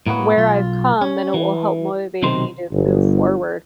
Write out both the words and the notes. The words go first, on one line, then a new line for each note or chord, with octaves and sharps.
where I've come, then it will help motivate me to move forward.
A2 A#3 B3 F#4
B1 F4
C#4
E3
B1 C3 D#3 C5
G1